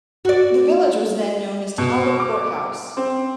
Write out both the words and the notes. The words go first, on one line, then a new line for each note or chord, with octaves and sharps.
The village was then known as "Talbot Court House".
F#4 D5
B2
D6
C4